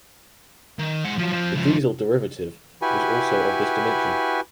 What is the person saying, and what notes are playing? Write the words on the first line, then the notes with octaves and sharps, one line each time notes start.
The diesel derivative was also of this dimension.
D#3
G#3 F#5
F3 F#3
F3 C4
C#2 F3
E4 F#4 G4 B4 G#5